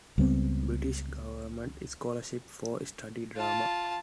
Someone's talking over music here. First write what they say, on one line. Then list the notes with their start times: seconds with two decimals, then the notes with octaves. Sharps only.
British government scholarship for study drama.
0.18 C#2 G3 B3 C4
3.37 F4 A5